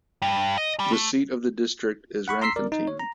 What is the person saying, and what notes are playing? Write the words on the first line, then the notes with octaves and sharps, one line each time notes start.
The seat of the district is Randfontein.
G2
D#5
G3
A3
F#5 B5 C#6
A#5 C6 E6 B6 C7
A#4 D5
D#4
C#5
A#5